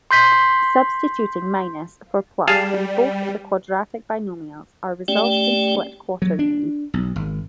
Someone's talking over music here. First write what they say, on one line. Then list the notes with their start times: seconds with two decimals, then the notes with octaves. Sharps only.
Substituting minus for plus in "both" the quadratic binomials also results in split-quaternions.
0.11 C6 G6 B6
2.48 G3 G#4 F5 A5
5.08 A3 C#4 G4 D5 G5
6.22 F#3
6.39 D4
6.94 B1
7.16 G#1